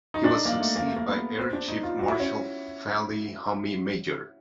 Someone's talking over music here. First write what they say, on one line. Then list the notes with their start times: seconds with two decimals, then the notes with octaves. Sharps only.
He was succeed by Air Chief Marshal Fali Homi Major.
0.14 D#4
0.24 D4
0.45 A#3
0.60 A3
0.76 A#3
0.86 A3
0.96 A#3
1.07 B3
1.38 C4
1.53 D4
1.68 D#4
1.83 F4
1.99 F#4
2.09 E4
2.20 C#4